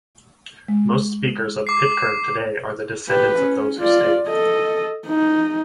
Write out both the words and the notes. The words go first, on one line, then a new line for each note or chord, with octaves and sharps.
Most speakers of Pitkern today are the descendants of those who stayed.
G#3
D6 C7
G4 B4
C#4
F4 D5
A4 D#5
D#4